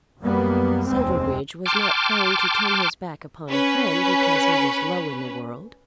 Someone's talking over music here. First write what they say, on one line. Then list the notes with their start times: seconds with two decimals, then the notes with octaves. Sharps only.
Silverbridge was not prone to turn his back upon a friend because he was low in the world.
0.21 F#2 G3 A#3 B3
0.87 F1 D#2 G#3 C4
1.66 G5 A5 C6 D6 F6
3.49 C#4 B4